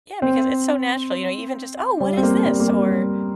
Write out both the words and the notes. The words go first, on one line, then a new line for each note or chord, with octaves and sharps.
Yeah, because it's so natural, you know? Even just, "Oh, what is this?" or,
C4
G3
C4
A#3
G3
A#3
G3